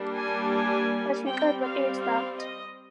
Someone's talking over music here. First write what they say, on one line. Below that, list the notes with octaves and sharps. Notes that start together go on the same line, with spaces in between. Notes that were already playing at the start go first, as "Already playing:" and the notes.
But he could repeat that.
Already playing: G3 A#3 D4
G#5
G#5
G3 C4 G5
F5
F5
D#5